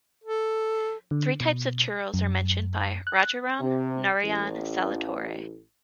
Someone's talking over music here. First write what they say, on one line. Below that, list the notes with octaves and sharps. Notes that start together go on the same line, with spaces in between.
Three types of Churels are mentioned by "Rajaram Narayan Saletore".
A4
D3
B2
F#2
F#6
C3
A1